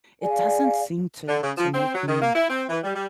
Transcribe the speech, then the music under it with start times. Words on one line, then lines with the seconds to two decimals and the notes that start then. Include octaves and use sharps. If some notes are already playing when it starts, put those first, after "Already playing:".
it doesn't seem to to make me
0.22 G#4 D5 F5 G#5
1.28 D3
1.42 C#3
1.57 F3
1.73 C4
1.95 F#3
2.08 D#3
2.22 A#3
2.34 E4
2.49 C4
2.69 E3
2.84 G3
2.95 G3